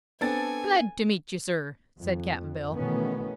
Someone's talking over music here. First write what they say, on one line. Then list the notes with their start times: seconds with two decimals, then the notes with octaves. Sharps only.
"Glad to meet you, sir," said Cap'n Bill.
0.21 B3 C4 D4 A4 G#5 A6
1.98 F2
2.74 B2 D#3 E3 A3 B3 C#4